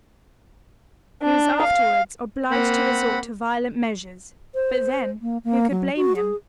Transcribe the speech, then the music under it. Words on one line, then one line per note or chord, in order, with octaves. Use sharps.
He was afterwards obliged to resort to violent measures; but then, who could blame him?
D4
F5
A#3 C4 F#5 B5
C5
A#3
A#3
F#3
F#4
G#4